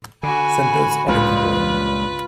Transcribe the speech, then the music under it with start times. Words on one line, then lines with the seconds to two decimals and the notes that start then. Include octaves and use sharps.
Send those other people in.
0.23 D3 F#4 G#5 B5
1.08 C#2 G2 A#2 F4 B4